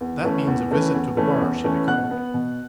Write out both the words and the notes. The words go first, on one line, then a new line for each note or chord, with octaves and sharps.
"That means a visit to the bar!" she declared.
E2
E3 A3 C#4
E2
E3 A3 C#4
E2
E3 A3 C#4
E2
E3 A3 C#4
B2 F#5 F#6
B3
B2